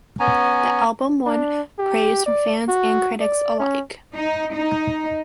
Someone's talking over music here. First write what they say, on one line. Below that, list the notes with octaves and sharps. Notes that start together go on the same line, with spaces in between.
The album won praise from fans and critics alike.
B3 C#4 G#5 A#5
D4
G4
D5
F#4
D5
C#4
D#4
D#4